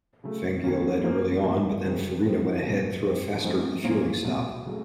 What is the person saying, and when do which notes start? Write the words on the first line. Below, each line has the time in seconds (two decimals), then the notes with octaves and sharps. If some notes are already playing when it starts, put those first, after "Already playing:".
Fangio led early on but then Farina went ahead through a faster refuelling stop.
0.24 C#3 F#3 A3
0.63 D#2 D#3 F#3 A#3 C#4
1.03 F3 A#3 C#4 F4 C5
1.44 A2 F#3 A#3 D#4
1.84 F2 C#3 F#3 C4
2.24 A2 F3 C4
2.64 C2 A#2 F#3
3.05 F#2 F3 C4
3.44 F#2 F3 A3 C4 D#4
3.84 A#2 F3 A#3 C#4
4.24 C2 A#2 F#3
4.66 C#3 F#3 A3